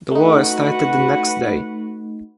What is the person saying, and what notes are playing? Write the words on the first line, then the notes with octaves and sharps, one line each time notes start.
The war started the next day.
A3 D#4 F#4 B4 F#5